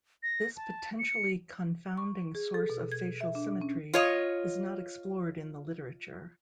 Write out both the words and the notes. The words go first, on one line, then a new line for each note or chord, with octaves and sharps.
This potentially confounding source of facial symmetry is not explored in the literature.
A#6
A5
C#7
C#6
G#4
A4
B2
G#6
E5
D4
C#4
F4 C#5 D#5